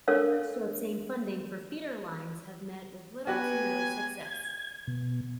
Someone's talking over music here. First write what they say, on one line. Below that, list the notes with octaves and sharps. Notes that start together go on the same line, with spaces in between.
Efforts to obtain funding for feeder lines have met with little to no success.
D4 A4 A#4 C#5 F5
F#3 B3 F#4 G4 B4 G#5
G#6
B2